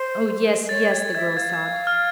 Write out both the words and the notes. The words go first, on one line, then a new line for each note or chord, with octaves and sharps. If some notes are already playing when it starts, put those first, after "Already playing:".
"Oh, yes, yes," the girl sobbed.
Already playing: C5
C#5 A6
G#6
E5 G#6
F5 G#6
G#6
F6